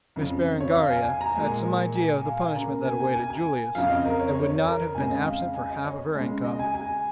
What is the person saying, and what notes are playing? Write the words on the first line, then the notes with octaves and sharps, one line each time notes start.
Miss Berengaria had some idea of the punishment that awaited Julius, and would not have been absent for half of her income.
F2 C#3 F3
C#5
F5
G#5
G#5
A#5
A#2 G#3 G#5
G#5
G#5
F5
G#5
C#3 A#3 A#5
G#5
G#5
G#5
G#5
F2 C#3 F3 F5
D#5
A#4
C#5
C#5
C#5
A#4
F2 C#3 G#3 G#5
D#5
F5
G#5
D#5
C#5
C#3 G#3
D#5
G#5
G#5